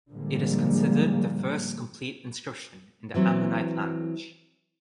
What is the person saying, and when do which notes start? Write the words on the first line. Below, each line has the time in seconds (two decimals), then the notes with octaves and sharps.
It is considered the first complete inscription in the "Ammonite language".
0.10 A2 D3 F3 G3 G#3 A#3
3.14 E3 F#3 C4 E4 C#5